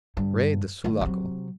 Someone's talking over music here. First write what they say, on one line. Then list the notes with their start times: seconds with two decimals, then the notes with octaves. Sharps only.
Rey de Sulaco!
0.17 G2 D3
0.84 D#3 A3
1.01 C3 F#3